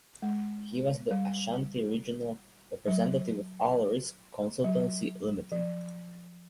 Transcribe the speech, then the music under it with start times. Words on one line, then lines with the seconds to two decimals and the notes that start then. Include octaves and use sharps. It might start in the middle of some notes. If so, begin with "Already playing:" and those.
He was the Ashanti Regional Representative of All Risk Consultancy Limited.
0.22 G#3
1.11 G3
2.88 F#3
4.64 F#3
5.52 F3